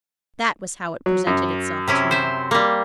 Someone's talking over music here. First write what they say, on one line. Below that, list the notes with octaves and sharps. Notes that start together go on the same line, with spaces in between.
That was how it presented itself to me.
F#3
F#2
C3 C#4 E4
C5 E5
G3 A#3